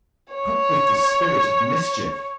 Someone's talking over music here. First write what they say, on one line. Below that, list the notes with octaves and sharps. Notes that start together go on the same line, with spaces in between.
Puck was the spirit of mischief.
C#5